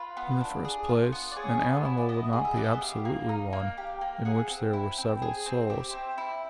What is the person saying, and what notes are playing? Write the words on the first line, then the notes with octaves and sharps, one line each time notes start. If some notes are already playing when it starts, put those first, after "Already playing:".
In the first place, an animal would not be absolutely one, in which there were several souls.
Already playing: F4 B4
B3
D4
G#4
F4
B3
D5
G#4 C#5
B3
E4
D5
B3 D#5
G#4
E5
B3 D5
D#5
E5
G4 F5
A#3
D#4
A#3
G4
A#3
G#4 F#5
C4
E4
C4
G#4
C4
G4 E5
C4
E4